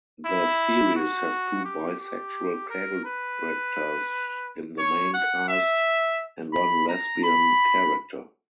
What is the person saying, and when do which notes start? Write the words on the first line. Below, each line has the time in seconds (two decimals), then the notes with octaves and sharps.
The series has two bisexual characters in the main cast and one lesbian character.
0.25 E4
0.96 F#4
1.64 G4
2.00 G4
2.70 A#4
3.05 B4
4.79 C#5
5.14 F#5
5.48 E5
6.53 B5
6.88 A#5
7.24 B5